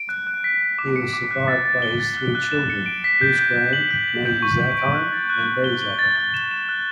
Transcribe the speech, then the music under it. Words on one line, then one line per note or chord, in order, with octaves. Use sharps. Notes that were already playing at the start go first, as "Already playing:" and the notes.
He was survived by his three children; Bruce Graham, Maggie Zackheim and Ben Zackheim.
Already playing: D7
F#6
F#6
B6
F#6
D6
C#7
D6
F#6
A6
A6
G7
A6
F#6
F#6
E7
C#7
D7
B6
G6
G6
G6
F#7
G6
F#7
G6
C#6
G6
D7
F#6
A6
F#6
F#6
G7
G7
A6
A6
E7
E7
F#6